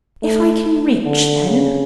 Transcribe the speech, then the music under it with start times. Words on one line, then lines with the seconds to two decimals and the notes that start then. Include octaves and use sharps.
"If I can reach, then."
0.22 A3
1.05 D3
1.46 C#3